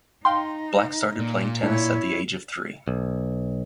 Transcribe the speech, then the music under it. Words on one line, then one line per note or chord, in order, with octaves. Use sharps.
Black started playing tennis at the age of three.
D#4 F5 G5 C6
A#2
A2 D4 E4 C#5
B1